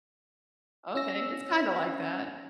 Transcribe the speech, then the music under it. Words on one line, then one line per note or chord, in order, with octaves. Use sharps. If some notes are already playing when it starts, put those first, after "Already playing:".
Okay, it's kinda like that.
C#4 E6 A#6